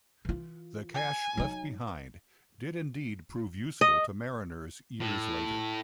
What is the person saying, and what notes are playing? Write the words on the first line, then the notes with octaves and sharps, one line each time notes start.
The cache left behind did indeed prove useful to mariners years later.
E3 F4
G#5
F#3 D#4
D#5
A2